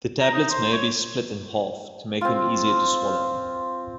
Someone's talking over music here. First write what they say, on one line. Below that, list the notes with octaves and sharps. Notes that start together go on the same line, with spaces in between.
The tablets may be split in half to make them easier to swallow.
A#5
D#4
C5
C#5
C4 F4